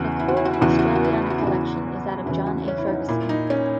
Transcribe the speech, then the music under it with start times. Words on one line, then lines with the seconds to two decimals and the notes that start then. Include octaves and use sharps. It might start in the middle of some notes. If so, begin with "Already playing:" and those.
A core Australiana collection is that of John A. Ferguson.
Already playing: E2 C#3 E3 F#4
0.19 E4
0.28 F#4
0.37 E4
0.45 F#4
0.53 E4
0.61 E2 C#3 E3 F#4
0.70 E4
0.79 F#4
0.88 E4
0.95 F#4
1.04 E4
1.13 F#4
1.22 E4
1.30 F#4
1.38 E4
1.43 E2 C#3 E3 F#4
1.55 E4
2.26 E2 C#3 E3 E4
2.47 F#4
2.68 C#4
2.78 E4
2.88 D#4
3.08 A#2 E4
3.29 D#4
3.50 C#4